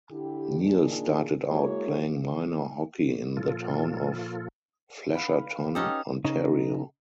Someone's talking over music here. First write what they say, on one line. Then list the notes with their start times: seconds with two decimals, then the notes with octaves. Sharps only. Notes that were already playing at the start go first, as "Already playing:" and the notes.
Neil started out playing minor hockey in the town of Flesherton, Ontario.
0.11 D3 E4 G4
0.61 A#2 D#3 D4 D#4 G#4
1.48 G#3 A#3 E4 F#4 C#5
3.37 A#2 F3 F4 A4
5.15 B4 F5
5.75 C#4 D#4 G4 A4 D#6 F6
6.24 C#3 D#4